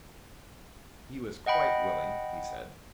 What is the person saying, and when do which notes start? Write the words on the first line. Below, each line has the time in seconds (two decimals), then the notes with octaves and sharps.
He was quite willing, he said.
1.46 D#5 F#5 G5 B5